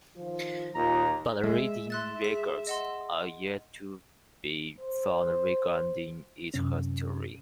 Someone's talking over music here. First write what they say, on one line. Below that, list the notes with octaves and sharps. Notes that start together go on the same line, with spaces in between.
But written records are yet to be found regarding its history.
D#3 F3 F4
D#2 A#2 F4 A#5
G#3 E5
E5 C6 F#6 A6
G#4 B6
D#5 F#5 C6
C5
F#2 C3 C#4